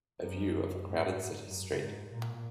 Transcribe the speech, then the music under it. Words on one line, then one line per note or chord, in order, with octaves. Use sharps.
A view of a crowded city street.
F#2
G#2
F#2
G#2
A#2